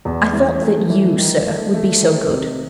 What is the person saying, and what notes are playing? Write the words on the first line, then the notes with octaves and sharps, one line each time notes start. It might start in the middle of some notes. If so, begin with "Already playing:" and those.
"I thought that you, sir, would be so good!"
E2
E3
A3
E3
D#3
A3
A3
D#3
C3